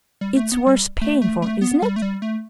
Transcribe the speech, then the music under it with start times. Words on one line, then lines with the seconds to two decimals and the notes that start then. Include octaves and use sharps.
It's worth paying for, isn't it?
0.21 G3
0.37 A3
0.52 B3
0.67 G3
1.01 A3
1.22 A3
1.42 A3
1.61 B3
1.82 G3
1.96 A3
2.02 G3
2.22 A3